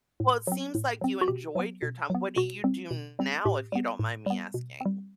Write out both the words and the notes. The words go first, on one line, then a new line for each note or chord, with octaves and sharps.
Well, it seems like you enjoyed your time, what do you do now, if you don't mind me asking?
A2
F#3 C4
A2
F#3 C4
F#4
B2 G4
F#3 B3
B2
F#3 B3
B2 F#4
G3 C4
B2
G3 C4
A2 G4
G3 B3
A2
G3 B3
B2
G3 C4